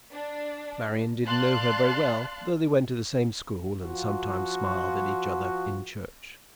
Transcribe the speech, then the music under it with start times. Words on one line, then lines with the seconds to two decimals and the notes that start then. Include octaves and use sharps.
Marian didn't know her very well, though they went to the same school and sometimes smiled at each other in church.
0.13 D4
1.24 D5 F5 A5 C6 F#6
3.81 F3 F4 F#4